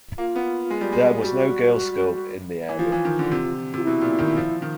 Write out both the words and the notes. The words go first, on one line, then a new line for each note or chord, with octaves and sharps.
There was no girls' school in the area.
A#3 F4
B3
G#3
G3
G#3
G3 F#4
E3
F3 F4
E3
D#3
D3
C3
C3 F4
B2 E4
A#2
D#3
F3
D#3